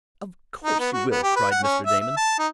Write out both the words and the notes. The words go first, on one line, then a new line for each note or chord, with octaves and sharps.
"Of course you will!" cried Mr. Damon.
D#4
B3
F#4
B3
G4
B4
F#5
C#4
E5
E5
A5
D#4